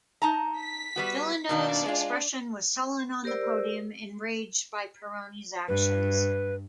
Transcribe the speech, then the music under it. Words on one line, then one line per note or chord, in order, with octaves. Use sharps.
Villeneuve's expression was sullen on the podium, enraged by Pironi's actions.
D#4 A5 A#5
B6
G3 B3 F#4
B2 D#3 A#3 D4 D5
G#3 F4
G4 A#4 C5 D5 E6
G2 B4